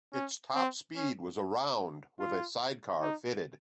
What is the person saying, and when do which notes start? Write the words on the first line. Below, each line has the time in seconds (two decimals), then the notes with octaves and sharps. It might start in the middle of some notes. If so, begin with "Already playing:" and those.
Its top speed was around with a sidecar fitted.
0.13 C#4
0.55 C4
0.96 C#4
2.20 F4
3.02 D#4